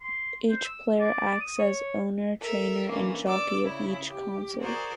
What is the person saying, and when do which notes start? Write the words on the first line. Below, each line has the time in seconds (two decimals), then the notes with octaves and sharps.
Each player acts as owner, trainer, and jockey at each console.
0.01 C6
0.49 C5
0.65 E6
1.00 D5
1.40 D#6
1.59 C#5
2.41 A4 A#4 E5
2.89 D3 E3 A#3 C#4
3.26 D5 D6 E6
3.62 C#3 E4
4.08 G4
4.60 F#4 G#4 A#4 C5 D5